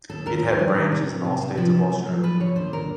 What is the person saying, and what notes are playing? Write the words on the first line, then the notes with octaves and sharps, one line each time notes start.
It had branches in all states of Australia.
D#2 A4
D#2 A#4
D#3
G3
D#3
C3
C3
C3
C3
F3
C3
A3
F3
F3 B4
D3 C#5
D#2 C5
D3 A#4